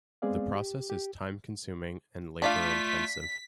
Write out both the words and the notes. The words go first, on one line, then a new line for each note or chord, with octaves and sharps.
The process is time-consuming and labor-intensive.
G#3 B3 C4 G#4 D5 F5
G4
G4
A3 D4 F4 D5 F5 B6